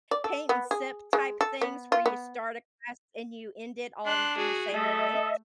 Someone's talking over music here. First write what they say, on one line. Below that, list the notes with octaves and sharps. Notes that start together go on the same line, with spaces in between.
paint and sip-type things where you start a class and you end it all in the same night,
D5
A4
B3
G#4
G#3
A4
B3
F4
B3
D4 C6 F#6
F#4 G#4
A3 A4 D#5 E5